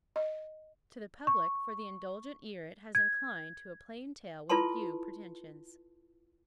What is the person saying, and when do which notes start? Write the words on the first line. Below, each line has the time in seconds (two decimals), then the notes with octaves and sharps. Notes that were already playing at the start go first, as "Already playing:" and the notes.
To the Public, for the indulgent ear it has inclined to a plain tale with few pretensions.
0.16 D#5
1.27 C#6
2.95 G#6
4.49 E4 F4 A4 B4 A5 C6